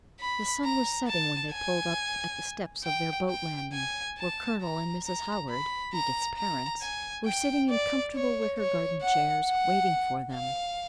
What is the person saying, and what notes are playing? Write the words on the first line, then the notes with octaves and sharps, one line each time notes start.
The sun was setting when they pulled up at the steps of their boat-landing where Colonel and Mrs. Howard, Edith's parents, were sitting in comfortable wicker garden-chairs, waiting for them.
B5
A#5
A5
G#5
G5
G5
G#5
A5
A#5
A#5
B5
A#5
A#5
G#5
G5
D5
C#5
C#5
F#5
F#5
F5